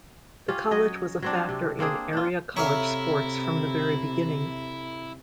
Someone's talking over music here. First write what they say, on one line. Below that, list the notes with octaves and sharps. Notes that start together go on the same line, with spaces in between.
The college was a factor in area college sports from the very beginning.
C#4 F4 G4
F#3 D#5
F#3 C4 D4
C3
A#3 C4 D4 G#4
D4 F4
C3 E4 A4 C#5 E5 F5 A#5